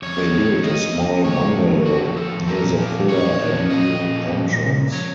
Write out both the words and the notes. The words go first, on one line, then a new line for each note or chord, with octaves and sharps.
They built a small bungalow near the Fuller Avenue entrance.
F2 C#5
D#3
F2
F2
D#3 D#5
F2
F2
F2
A2 C#5
A2
F3
A2
A2 F#4
F3
F3 A4
A2
F3 A#4
A#2
F3
A#2
A#2 C#5
A#2
A#2
F3
A#2 D#5
A#2
A#2
F3
A#2
A#2
A#2
A#2
F3 C#5